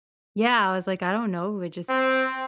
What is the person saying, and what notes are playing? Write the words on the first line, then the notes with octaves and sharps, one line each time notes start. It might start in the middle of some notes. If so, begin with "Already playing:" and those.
yeah, I was like, "I don't know, I just
C4